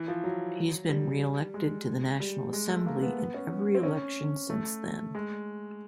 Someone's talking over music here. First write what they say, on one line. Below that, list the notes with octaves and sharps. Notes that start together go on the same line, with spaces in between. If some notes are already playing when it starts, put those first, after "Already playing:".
He has been re-elected to the National Assembly in every election since then.
Already playing: E3
F3
F#3
G3
G#3
G3
G#3
A3
A#3
B3
B3
C#4
C4
C#4
A3
G#3